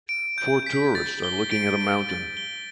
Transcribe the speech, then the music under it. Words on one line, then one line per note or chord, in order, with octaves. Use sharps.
Four tourists are looking at a mountain.
D7
G6
B6
A6
G7
D7
D7
A6
G7